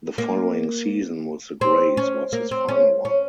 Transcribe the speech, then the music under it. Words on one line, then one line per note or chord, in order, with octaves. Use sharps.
The following season with the Grays was his final one.
A#3
C4
C#4
A#3
C4
C#4
C#4